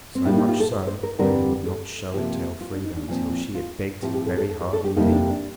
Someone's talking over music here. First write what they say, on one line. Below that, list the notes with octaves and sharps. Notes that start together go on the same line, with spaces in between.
So much so, that he would not show it to Elfrida until she had begged very hard indeed.
C4
A2 G3 A#3 D4
D#4
F4
A4
C5
C5
A#4
G2 D3 G3 C4 A#4
A4
C3 F3 A#3 G4
F4
D4
D#4
D4
A#2 F3 C4
F4
A2 F3 C4 G4
G4
A4
A4
A4
A#4
A4
G4
F2 C3 G3 A#3 D#4
D4
D4